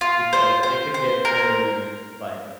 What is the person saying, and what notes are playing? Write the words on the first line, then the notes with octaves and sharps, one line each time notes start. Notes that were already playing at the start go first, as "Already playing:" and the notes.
because it could get very, like
F4
C5
C5
C5
A#4